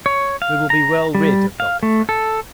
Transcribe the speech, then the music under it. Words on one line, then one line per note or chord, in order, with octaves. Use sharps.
We will be well rid of Dr. Frank.
C#5
F5
A#5
G3
F5
A3
A4